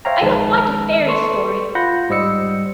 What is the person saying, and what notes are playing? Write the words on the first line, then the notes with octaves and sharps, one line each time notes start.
I don't want a fairy story.
C5 C#5 E5 F5 G5 A#5
A#1 D#3 G#3 A5
A4 B4 C6 C#6
F4 F#5 B5 G6 A#6
G#2 G3 C5 D#5 E6 C#7